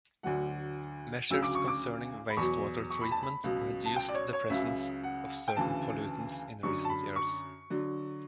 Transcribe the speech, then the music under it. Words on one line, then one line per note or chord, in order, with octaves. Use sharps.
Measures concerning wastewater treatment reduced the presence of certain pollutants in recent years.
D2 D3 F#3 F#5
D2 C#3 F#3 E6
D6
C#6
D6
B5
E2 B2 F#3 C#6
C#6
B5
A5
B5
C#2 B2 F#3
A5
G5
D5
C#5
C#5
C#2 C#3 F#3 E5
F#5
G5
D2 C#3 E3 A5
F#2 D3 F#3 C#6
A5
B5
C#6
D3 F#3